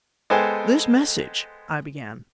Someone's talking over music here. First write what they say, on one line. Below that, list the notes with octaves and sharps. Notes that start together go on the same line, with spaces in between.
"This message," I began...
G#3 B3 A4 C5 G5 G#5